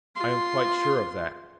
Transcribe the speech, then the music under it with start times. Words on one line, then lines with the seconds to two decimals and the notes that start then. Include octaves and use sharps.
I am quite sure of that.
0.16 F4 C6